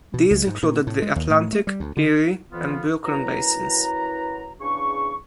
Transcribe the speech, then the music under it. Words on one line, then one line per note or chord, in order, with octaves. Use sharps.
These included the Atlantic, Erie and Brooklyn Basins.
B2
C#2
G#2
A#2
A2
G#3
D#2
A2
A3
G3
D2
D3
F2 E3 B3 F4
F#2 F#3 E4 B4 A#5
E2 C#3 D4 G#4 C#6